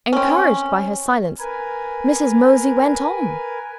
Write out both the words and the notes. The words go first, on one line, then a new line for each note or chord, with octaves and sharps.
Encouraged by her silence, Mrs. Mosey went on.
C4 C#4
A#4 B4 G#5